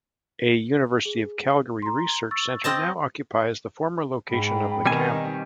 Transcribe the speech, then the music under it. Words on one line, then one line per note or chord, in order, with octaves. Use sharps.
A University of Calgary research centre now occupies the former location of the camp.
G#4
A#5 C6
C#6 E6 A6
C4 D#5 A5
G#2 G5 B5
B2 D#3 G3 C4 G#5